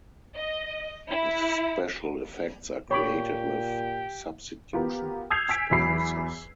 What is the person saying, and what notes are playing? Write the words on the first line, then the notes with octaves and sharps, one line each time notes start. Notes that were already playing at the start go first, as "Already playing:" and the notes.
The special effects are created with substitution splices.
D#5
E4
A#2 G4 C#5 B5 D6
B3 F4 G4 A#4
D#6 E6 G6 G#6 C7 F7
G#5 E6 B6 D7
E2 E3 F#3 B5 C7